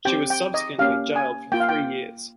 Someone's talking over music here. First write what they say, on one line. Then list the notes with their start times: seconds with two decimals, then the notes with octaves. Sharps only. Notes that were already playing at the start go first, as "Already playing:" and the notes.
She was subsequently jailed for three years.
0.05 C4 G4 G5
0.30 G5
0.54 D#5
0.79 A#3 C#4 G4 F5
1.16 G#5
1.52 A#3 F4 G5
1.60 F5
1.69 G5